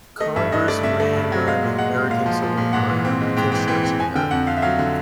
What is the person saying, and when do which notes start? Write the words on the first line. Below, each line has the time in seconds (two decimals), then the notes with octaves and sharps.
Congressman during the American Civil War and the Reconstruction era.
0.20 A3 D#5
0.36 G2 E5
0.52 G2 D#5
0.68 A3 D5
0.83 G2 E5
1.00 A3
1.16 G2
1.32 F#3
1.47 G#3 F5
1.63 A#2
1.78 G#3 F#5
1.95 G#3
2.10 A#2 F5
2.26 F3
2.42 F3
2.57 A#2
2.73 G#2 F#5
2.89 E3
3.05 C4
3.21 G#3
3.37 G#2 G5
3.52 E3 G5
3.68 E3 G5
3.83 C4 G5
3.99 F2 G#5
4.15 D3 G5
4.31 F2 F#5
4.47 F2 F5
4.57 E5
4.62 F#3 F5
4.79 D3